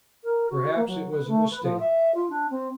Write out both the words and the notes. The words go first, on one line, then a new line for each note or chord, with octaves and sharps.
Perhaps it was a mistake.
A#4
F#4
A#3
F#3
B4
A3
B4
F3
E5
F4
D4
C4